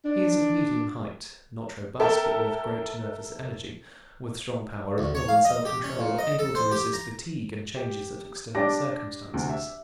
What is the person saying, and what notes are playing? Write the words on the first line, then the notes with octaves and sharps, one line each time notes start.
He is of medium height, not robust, but with great nervous energy, with strong power of will and self-control, able to resist fatigue and changes of external circumstances.
D4
A4 A#4 E5 G5 A5
D2
C#5
F5
D#5
G4
C#4
A#2
D#5
A4
C5
G4
A#5
G4
G3 D4 G4 A5 D6 A#6
D2 C3
E5